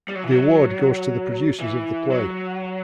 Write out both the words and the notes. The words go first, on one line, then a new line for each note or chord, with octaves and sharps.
The award goes to the producers of the play.
G3
F#3
E3
F#3
E3
F#3